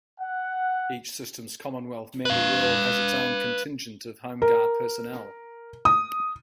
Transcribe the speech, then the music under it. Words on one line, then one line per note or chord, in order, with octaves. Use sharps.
Each Systems Commonwealth member world has its own contingent of Home Guard personnel.
F#5
B4 F5
A#4
D#6